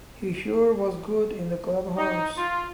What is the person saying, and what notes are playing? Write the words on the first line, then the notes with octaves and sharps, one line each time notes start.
He sure was good in the clubhouse.
D#4
F4